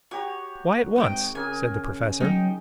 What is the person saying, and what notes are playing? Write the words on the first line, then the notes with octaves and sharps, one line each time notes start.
"Why at once?" said the Professor.
F#4 G4 C#5 A#5
G#1 D#5 F#5 G5
C#3 G#4 A#4 G#5 D6
F#3 D#4 G4